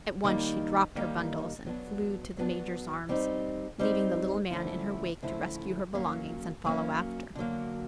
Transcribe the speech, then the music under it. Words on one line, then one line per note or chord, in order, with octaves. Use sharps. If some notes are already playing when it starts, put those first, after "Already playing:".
At once she dropped her bundles and flew to the Major's arms, leaving the little man in her wake to rescue her belongings and follow after.
D#3 G3 A#3 D#4
D#3 G3 A#3 D#4
F#3 B3 D4
F#3 B3 D4
G3 C4 D#4
G3 C4 D#4
D3 F3 A3 C#4 E4
D3 F3 A3 C#4 E4
F#3 A#3 C#4
F#3 A#3 C#4
D3 F#3 A#3